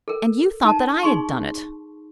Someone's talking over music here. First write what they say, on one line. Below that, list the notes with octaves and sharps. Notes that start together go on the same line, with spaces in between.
And you thought that I had done it!
A4 A#4
D#4 A5 A#5
D#4 G#4 C6 C#6